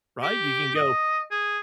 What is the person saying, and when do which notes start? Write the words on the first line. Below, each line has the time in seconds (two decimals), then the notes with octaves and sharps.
Right? You can go
0.23 G4
0.75 D#5
1.31 G#4